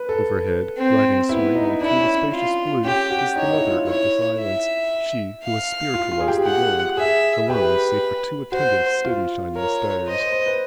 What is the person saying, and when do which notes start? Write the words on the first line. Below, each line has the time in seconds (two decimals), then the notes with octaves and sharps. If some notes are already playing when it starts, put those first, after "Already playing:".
Overhead, riding serenely through the spacious blue, is the mother of the silence, she who has spiritualised the world, alone save for two attendant steady shining stars.
Already playing: B4
0.09 A4
0.78 C4
1.29 B3 E4
1.55 D#4
1.81 D4 E4
1.99 C#4
2.15 C#4
2.33 F4
2.84 C#4 G4
3.10 F#4
3.35 D#4 C#5
3.47 D#4
3.53 E4
3.71 F4
3.87 E4 C#5
4.39 E5
5.43 F5
5.94 F4
6.12 F4
6.20 G#4
6.28 G4
6.46 G4 F#5
6.97 G#4 E5
7.48 G4 B4
8.52 F#4 C5
9.05 F4
9.55 A#4 C#5
10.07 C5 D#5
10.20 C5
10.33 C5
10.46 B4